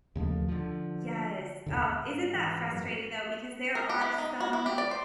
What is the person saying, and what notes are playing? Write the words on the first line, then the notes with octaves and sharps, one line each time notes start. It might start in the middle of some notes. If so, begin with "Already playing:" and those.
Yes, oh, isn't that frustrating, though, because there are some
D#2 C#3 F3 A3
D3 F3
D#2 A2 D3
G#2
E3
B5
F#2
A#4
G4
E4
D#4
F#4
E4
G4
D5
C5